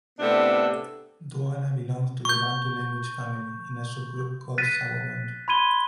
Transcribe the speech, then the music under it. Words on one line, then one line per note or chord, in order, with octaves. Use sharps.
Douala belongs to the Bantu language family, in a subgroup called Sawabantu.
A2 C3 B3 D4 A4
C#6 G6
F#6 A6 B6 D#7
B5 C6 G#6 D#7 G7